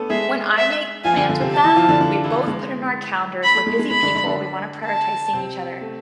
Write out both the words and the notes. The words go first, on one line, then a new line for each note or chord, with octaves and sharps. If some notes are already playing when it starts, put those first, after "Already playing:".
when I make plans with them, we both put in our calendars. We're busy people, we want to prioritize seeing each other,
Already playing: A3 B3 D4 A4 B4
G#3 G#4 E5
E5
F3 F4 G#5
D3 D4
D3 D4
C3 C4
A5
E3 E4
F3 F4
D3 D4
D3 D4
E3 E4
G#3
B5
A3
G#3
G#3
G#3 B5
D3 D4
D3 D4
D3 D4
A5
C3 C4
A3